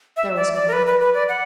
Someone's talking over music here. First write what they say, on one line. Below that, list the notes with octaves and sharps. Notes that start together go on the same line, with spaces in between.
There was no one there.
E5
D5
D5
A#4
B4
B4
B4
D5
F#5